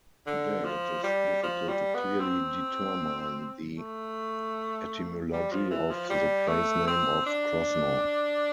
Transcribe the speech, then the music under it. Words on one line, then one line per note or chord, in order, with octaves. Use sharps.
Today it is difficult to clearly determine the etymology of the place-name of Krosno.
D3
F3
G3
F3
G3
B3
C4
A3
G3
F3
E3
F3
G3
A3
C4
D4